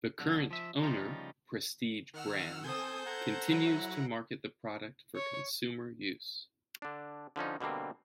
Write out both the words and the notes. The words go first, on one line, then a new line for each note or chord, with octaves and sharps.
The current owner, Prestige Brands, continues to market the product for consumer use.
B1 D3
F3 E5
C#3 F3 G3 A3 D#4 F4
D#3 F#5 E6 F6
C4 A4 C5 G#5 D#6 G6
A4 F#5 A#5 G#6
F#3 E4
C#5
D3 D4
D3 F3 C#4 D#4
B2 D3 G3 A#3 C4